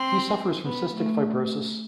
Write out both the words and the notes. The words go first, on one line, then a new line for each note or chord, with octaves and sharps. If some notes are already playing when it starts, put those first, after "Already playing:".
He suffers from cystic fibrosis.
Already playing: C4 C6
B3
A3